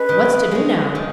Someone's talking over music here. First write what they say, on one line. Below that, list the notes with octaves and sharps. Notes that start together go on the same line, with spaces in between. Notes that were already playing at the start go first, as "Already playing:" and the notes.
"What's to do now?"
Already playing: G#3 C#4 B4
D#3
G#3 C#4
D#3